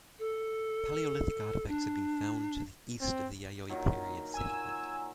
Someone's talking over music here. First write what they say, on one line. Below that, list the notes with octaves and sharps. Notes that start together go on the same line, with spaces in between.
Paleolithic artifacts have been found to the east of the Yayoi period settlement.
A4
D4
C4
A#2 D#3 F#3
G#5 E6